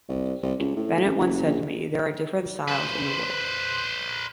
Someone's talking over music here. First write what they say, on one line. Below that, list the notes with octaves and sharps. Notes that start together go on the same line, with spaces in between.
Bennett once said to me, 'There are different styles in the work.
C2
C2
C#2
A2
A1
F#1
A#1
B4 C5